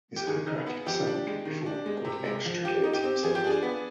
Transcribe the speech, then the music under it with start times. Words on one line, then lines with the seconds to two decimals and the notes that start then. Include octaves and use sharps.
His aircraft sank before he could extricate himself.
0.16 G4
0.27 D#3 G#4
0.47 D#4
0.67 B3
0.87 F3 G4
1.07 D4
1.27 G#3
1.45 D#3
1.66 D4
1.86 G#3
2.05 C3
2.25 G#3
2.45 F3
2.64 F3 G4
2.84 D#4
2.93 G4
3.03 C4
3.23 F3 G#4
3.35 G4
3.44 D4 G#4
3.62 B3